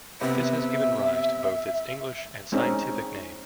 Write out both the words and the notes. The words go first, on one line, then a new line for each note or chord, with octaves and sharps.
This has given rise to both its English and scientific name.
C3 B3 E5
G#3 C4 C#4 D#4